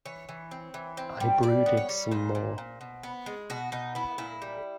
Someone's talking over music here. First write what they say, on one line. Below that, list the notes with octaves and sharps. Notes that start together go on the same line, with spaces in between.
I brooded some more.
E3 C#5
E3
C4
E3
C4
G3
G3 D5
B3
C#5
G3
A#2 C5
A#2
A#2
B2
B3
G#3
B2 F#4
B2 D#4
B3 E4
A#2 E4
G3